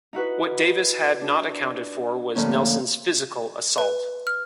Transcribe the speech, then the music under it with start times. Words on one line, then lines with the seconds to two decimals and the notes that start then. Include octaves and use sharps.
What Davis had not accounted for was Nelson's physical assault.
0.13 D#4 E4 F#4 B4
1.21 D4
2.35 A2 D3 F3 A#3 C#4
3.78 B4
4.27 F6